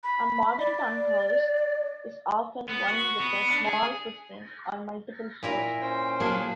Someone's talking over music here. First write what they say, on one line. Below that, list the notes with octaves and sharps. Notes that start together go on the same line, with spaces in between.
A modern town house is often one with a small footprint on multiple floors.
B5
D5
B3
F#4
B3
D4
G#4
A#2 E4 A#4
C#4 C5 G5
F#3 A#3 G#4 A4